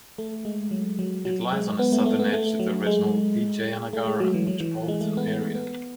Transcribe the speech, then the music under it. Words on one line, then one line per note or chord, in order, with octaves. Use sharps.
It lies on the southern edge of the original Vijayanagara metropolitan area.
A3
G#3
F#3
F#3
F#3
G#3
B3
A3
A3
B3
A3
F#3
G#3
A3
G#3
F#3
E3
F#3
E3
G#3
A3
B3
A3
B3